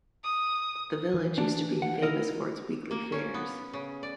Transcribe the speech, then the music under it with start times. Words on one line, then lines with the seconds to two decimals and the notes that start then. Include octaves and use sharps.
The village used to be famous for its weekly fairs.
0.24 D#6
1.14 E3
1.38 D4
1.82 F#5
2.02 E4 A#4 D#5
2.91 A#3
3.12 C#4
3.34 B3
3.73 C#3
4.03 D5